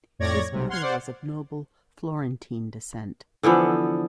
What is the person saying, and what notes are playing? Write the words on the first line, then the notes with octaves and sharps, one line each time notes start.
His mother was of noble Florentine descent.
F2 A2 C#5 D5 G#6 A#6
B1 C3
F#5 C6 F6 G#6 C7
C5 D5 F#5
D3 E3 F3 B3